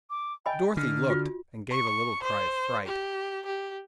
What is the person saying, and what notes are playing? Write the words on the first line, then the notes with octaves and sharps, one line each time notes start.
Dorothy looked, and gave a little cry of fright.
D6
D#5 G5 G#5 B5
D3 F6
F4 F#4
C#6
C5
G4
G4